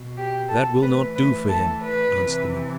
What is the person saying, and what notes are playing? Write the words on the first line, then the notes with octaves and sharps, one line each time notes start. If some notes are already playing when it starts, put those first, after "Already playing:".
"That will not do for him," answered the monk.
Already playing: B2
G4
A4
A2 E3 B4
B4
A4
B4
C3 E3